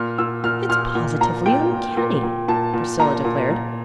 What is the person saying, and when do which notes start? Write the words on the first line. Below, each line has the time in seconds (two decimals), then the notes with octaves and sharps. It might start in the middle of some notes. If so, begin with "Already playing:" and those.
"It's positively uncanny!" Priscilla declared.
Already playing: A#2 F6
0.18 A#2 E6
0.44 A#2 F6
0.69 A#2 F6
0.95 A#2
1.21 A#2 A#5
1.46 A#2 G5
1.72 A#2
1.97 A#2
2.23 A#2
2.48 A#2 A5
2.74 A#2
3.00 A#2 A#5
3.25 A#2
3.50 A#2